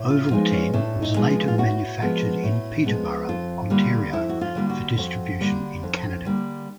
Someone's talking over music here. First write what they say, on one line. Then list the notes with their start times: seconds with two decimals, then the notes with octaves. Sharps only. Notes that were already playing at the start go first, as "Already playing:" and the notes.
Ovaltine was later manufactured in Peterborough, Ontario for distribution in Canada.
Already playing: A2
0.10 F4
0.31 F3 G#3 B3 D#4
0.53 C#4
0.73 A2 D4
1.02 D#4
1.16 F3 G#3 B3
1.30 F4
1.48 F4
1.58 A2 F#4
2.01 F3 G#3 B3
2.43 A2
2.86 F3 G#3 B3
3.29 F2 F4
3.70 D3 G3 A#3
4.13 F2 E4
4.29 F#4
4.41 F4
4.55 D3 G3 A#3
4.70 F#4
4.98 F2 F#4
5.41 D3 G3 A#3
5.83 F2
6.25 D3 G3 A#3